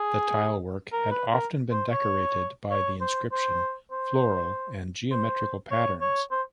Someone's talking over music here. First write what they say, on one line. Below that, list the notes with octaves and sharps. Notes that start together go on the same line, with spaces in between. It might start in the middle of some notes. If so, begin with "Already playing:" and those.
The tile work had often been decorated by the inscription, floral and geometrical patterns.
Already playing: G#4
A#4
B4
A#4
C5
C#5
C#5
C5
C5
C5
C5
C#5
C#5
C5